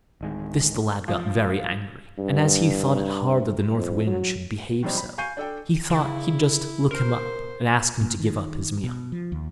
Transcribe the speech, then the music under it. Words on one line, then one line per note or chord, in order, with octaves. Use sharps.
At this the lad got very angry; and as he thought it hard that the North Wind should behave so, he thought he'd just look him up, and ask him to give up his meal.
D1 D#3 G#3
F3
G2
F2
F#3
D#3 F#3 G3 C4 D4 D#4
B5
F5 G#5 C#6 G6 C7 D#7
D4 A4 G5
C#3 E4
A#4 C5
A#2
D#3
B2
F3
D#2